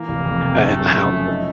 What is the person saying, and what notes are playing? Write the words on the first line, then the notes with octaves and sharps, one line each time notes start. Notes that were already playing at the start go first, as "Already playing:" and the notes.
uh, in the house
Already playing: E3 A#3
F1
F2
C3
F#2 A3
F#2
C#3
F3
D#4